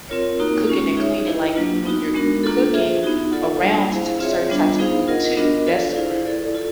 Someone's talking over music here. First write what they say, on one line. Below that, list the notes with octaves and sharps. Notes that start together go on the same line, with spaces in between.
cooking and cleaning. Like, when you're cooking around c certain types of food too, that's super important.
C4 F4 A#4 C#5
A#3 D#4 F#4 A#4
G#3 C#4 F4
D#4 G#4 C#5 E5
E4 G4 B4 D#5
F#3 A#3 D4 F4
B3 D#4 F#4
G#3 B3 D4 F#4 A#4
A#3 D4 F4 A4
F4 G#4 C5 E5
B3 D#4 F#4
F4 A4 D5 F#5
G3 A#3 D4
E4 G#4 C5 F5
C4 F4 G#4 C#5 E5
G3 B3 D4 F4
B3 D#4 G#4 C5 F5
F4 A#4 D#5 F#5
B3 D4 F#4 A#4 D#5
F4 A4 D5 F5
E4 G#4 C5 F5
E4 A4 D5
F4 A4